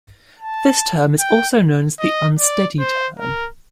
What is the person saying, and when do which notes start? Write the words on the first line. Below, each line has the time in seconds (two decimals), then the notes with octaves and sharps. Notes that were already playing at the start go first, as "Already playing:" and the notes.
This term is also known as the "unsteady term".
0.39 A5
1.20 G5
2.00 D#5
2.39 D5
2.79 C5
3.19 A#4